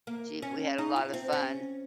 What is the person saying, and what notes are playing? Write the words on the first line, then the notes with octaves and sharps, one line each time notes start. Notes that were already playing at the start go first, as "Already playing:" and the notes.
She we had a lotta fun.
A#3
C#4
D#4
F4
C4
C#4